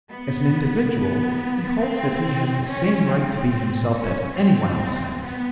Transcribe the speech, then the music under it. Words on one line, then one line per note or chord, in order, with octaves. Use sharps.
As an individual he holds that he has the same right to be himself that anyone else has.
B3
B3
C4
C#4
C4
C#4
C4
B3